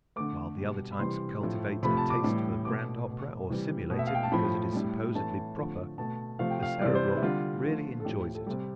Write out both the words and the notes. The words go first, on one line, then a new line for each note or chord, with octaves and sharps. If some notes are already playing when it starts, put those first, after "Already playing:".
While the other types cultivate a taste for grand opera or simulate it because it is supposedly proper, the Cerebral really enjoys it.
D3 A3 D6
B2 G3
B5
C3 E3 G3 C6
A2 F3 A3
C3 F3 A3 B5
A5
D6
A2 E3 G3
B2 A3 D6
B2 A3
C3 E3 G3
B2 A3
E5
F5
G5
A5
A2 F3 A3 B5
A2 G3
A2 E3 A3 A5
D3 F3 A3
B2 A3 A5
C3 F3 A3 F5
G5
F5
C3 E3 G3 D5
C5
B4
E4
D3 G3 F4
D3 F3 A3
A4
A2 F3 A3 G4
A4
C3 G3 G4